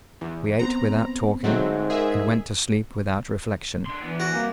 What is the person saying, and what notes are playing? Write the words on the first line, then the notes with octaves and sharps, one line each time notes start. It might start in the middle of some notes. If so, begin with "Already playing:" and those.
We ate without talking, and went to sleep without reflection.
E2
B3 C4 A#5
G#2 D3 F#3 A3 C4 F#5
G#4 A#4 D5 E5
D4 C6
E3 B3 D4
F#4
C3 G3 A#3